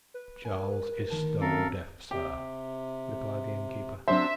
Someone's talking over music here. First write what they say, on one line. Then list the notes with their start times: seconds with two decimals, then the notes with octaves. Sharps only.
"Charles is stone deaf, sir," replied the innkeeper.
0.14 B4
0.45 A#4 G#5
1.10 D2 D#3 A5
1.41 F#2 C4 A4 A#4 F5
2.11 C3 G4
4.08 F#3 C4 D4 C5 E5